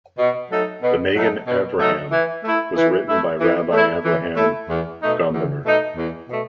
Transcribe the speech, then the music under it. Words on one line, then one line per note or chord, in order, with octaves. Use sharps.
The Magen Avraham was written by Rabbi Avraham Gombiner.
B2
F#3 A3 D#4 A4
B2
F#3 A3 D#4 A4
B2
F#3 A3 D#4 A4
E3
A3 E4
E3
A3 E4
E3
A3 E4
E3
A3 E4
E2
B2 A3 D#4
E2
B2 A3 D#4
E2
B2 A3